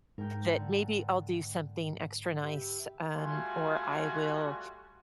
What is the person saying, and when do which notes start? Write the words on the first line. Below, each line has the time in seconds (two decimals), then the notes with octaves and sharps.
that maybe I'll do something extra nice, um, or I will,
0.18 G#2 A#4 G5
0.58 D3
2.43 G4 B4 E5
3.14 G3 A3 F4 F#4 G#5 C6